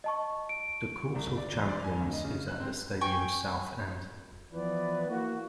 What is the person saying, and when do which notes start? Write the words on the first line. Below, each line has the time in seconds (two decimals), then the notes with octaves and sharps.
The Court of Champions is at the stadium's south end.
0.04 D#5 A5 C#6
0.49 D7
1.00 C#6
1.15 C2
1.26 G1
1.37 D5
1.52 E2
1.69 D5
1.84 G#5
2.01 D2
2.13 D#5
2.24 C#3
2.48 F#6
2.60 C4
3.01 G5 G#5 C#6
4.53 E3 F3 B3 B4 D5
5.08 A#3 E4 F#4